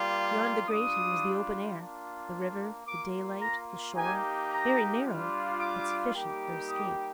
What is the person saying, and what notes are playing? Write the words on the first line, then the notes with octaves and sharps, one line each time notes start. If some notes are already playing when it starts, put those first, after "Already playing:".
Beyond the grating was the open air, the river, the daylight, the shore, very narrow but sufficient for escape.
Already playing: G3 A#3 F4
G3 D4 F4 D#6
A#3 D4 F4
A#3 F4 D6
A#5
A#3 D#4 G4 G#5
A#5
G3 D4 F4
D6
G3 A#3 D#4 G4
D#6